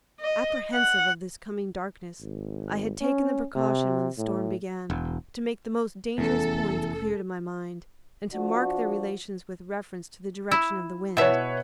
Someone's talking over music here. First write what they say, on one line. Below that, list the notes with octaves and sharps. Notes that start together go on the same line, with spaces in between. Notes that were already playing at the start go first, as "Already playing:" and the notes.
Apprehensive of this coming darkness, I had taken the precaution, when the storm began, to make the most dangerous points clear to my mind, and to mark their relations with reference to the direction of the wind.
D#5
F#5
G#1
C#4
C3
A2
E1
F1 E2 A3 C#4 A4
F3 D4 F#4
E4
B2 E4 B4 C#5 E5